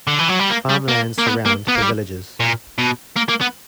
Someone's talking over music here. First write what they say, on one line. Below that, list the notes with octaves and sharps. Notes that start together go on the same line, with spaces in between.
Farm lands surround the villages.
D3
E3
F#3
G3
A#3
G3
A#3
A#3
B3
A#3
B3
A#3
G3
A#2
B2
A#3
A#3
B3